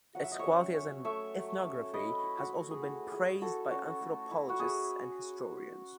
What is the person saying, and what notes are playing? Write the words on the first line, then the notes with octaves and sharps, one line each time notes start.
Its quality as an ethnography has also been praised by anthropologists and historians.
F#3 F#5
E5
D#5
C#5 E5
C#4
C#4
A3 C#5 E5
F#3
C#4
E4 B4 D#5
E4
F#4
A3
G#4
E4 F#4
E4 G#4
E4 F#4 A4
C#4 F#4
A3
E4
F#4
E4 G#4